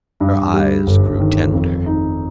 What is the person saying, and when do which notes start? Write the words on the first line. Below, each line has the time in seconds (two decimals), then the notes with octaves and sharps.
Her eyes grew tender.
0.20 G2
0.54 G3
0.87 G1
1.20 D#3
1.53 F2
1.86 D#4